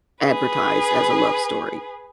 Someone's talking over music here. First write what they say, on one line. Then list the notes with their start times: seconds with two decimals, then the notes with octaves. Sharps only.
advertised as a love story,
0.23 G#4 B4